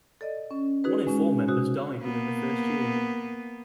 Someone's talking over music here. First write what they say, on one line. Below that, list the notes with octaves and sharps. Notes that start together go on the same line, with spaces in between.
One in four members died within the first year.
A4 D5 D#5
C#4
D#4 F#4 G#4 B4
G#3 C#4
C3 F#4 D#6 F#6
A#3 B3